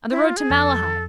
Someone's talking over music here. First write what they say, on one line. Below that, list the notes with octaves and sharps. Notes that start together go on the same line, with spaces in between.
On the road to Malahide.
E4
F4
G#4
F2 A4